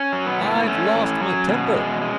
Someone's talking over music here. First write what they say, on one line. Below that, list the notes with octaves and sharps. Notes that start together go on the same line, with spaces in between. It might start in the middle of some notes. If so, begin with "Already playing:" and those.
I've lost my temper.
Already playing: C#4
F#3
B3
A2
A3 C#4
A2
F#3
B2
G#3
G#3